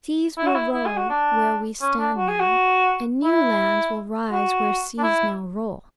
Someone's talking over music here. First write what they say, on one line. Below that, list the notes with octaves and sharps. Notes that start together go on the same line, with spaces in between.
Seas will roll where we stand now, and new lands will rise where seas now roll.
E4
F#4
E4
E4
G#4
F#4
D4
C#4
D4
F#4
G#4
F#4
E4
F#4
D4
E4